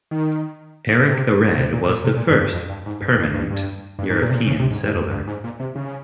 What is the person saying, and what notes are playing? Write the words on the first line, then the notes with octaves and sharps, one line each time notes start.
Erik the Red was the first "permanent" European settler.
D#3
C3
C3
A#2
A#2
C3
A#2
G2
G2
F2
G2
G#2
G2
F2
G2
G2
G2
G#2
A#2
C3
A#2
C#3
C3
G#2
G2
F2
G2
G#2
A#2
C3
C#3